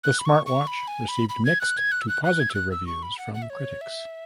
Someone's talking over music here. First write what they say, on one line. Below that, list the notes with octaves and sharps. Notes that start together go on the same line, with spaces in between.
The smartwatch received mixed to positive reviews from critics.
F#6
B5
C#6
C#6
B5
G#5
B5
B5
G#6
F#6
G#6
F#6
E6
F#6
F#6
G#6
E6
F#6
E6
C#6
B5
F#5
F#5
E5
C#5
E5